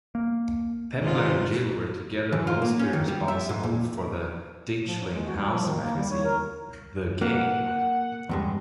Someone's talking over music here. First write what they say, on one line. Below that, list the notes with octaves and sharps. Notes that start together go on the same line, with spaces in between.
Pepler and Gill were together mostly responsible for the Ditchling house magazine, "The Game".
A#3
G#2 C3 D#3 F4
E3
F4
A#3
C#4
D#3
G3
E5
G#2
A#2
F3
F#3
G#3
F#4
G3
F3
D#3
A#3
G3
C#5
A#4
A#3 F#5
E2 G2 G#3